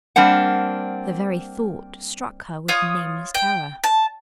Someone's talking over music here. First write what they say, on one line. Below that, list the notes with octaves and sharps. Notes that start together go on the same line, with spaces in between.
The very thought struck her with nameless terror.
G3 A#3 C4 D4 F#5
F4 C#5 D#6
G5
A5